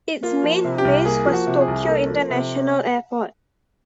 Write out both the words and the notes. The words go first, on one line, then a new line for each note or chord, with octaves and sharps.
Its main base was Tokyo International Airport.
A#3 F4
F3
C3
G4
C2
A#3 G#4
F3
F#4
C3
G#4
C2
A#3 A4
F3
C3